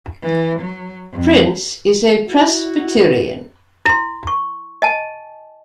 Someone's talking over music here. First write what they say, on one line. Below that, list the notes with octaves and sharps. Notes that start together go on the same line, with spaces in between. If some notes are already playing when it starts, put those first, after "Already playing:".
Prince is a Presbyterian.
E3
F#3
F2
E4 F#4
E4 C6
C#6
D#5 G#5 A5